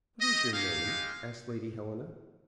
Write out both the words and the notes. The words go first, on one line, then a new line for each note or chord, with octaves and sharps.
"What is your name?" asked Lady Helena.
C4 G4 D#5
A#3 C#4 G4 F5
G#3 D#4 G4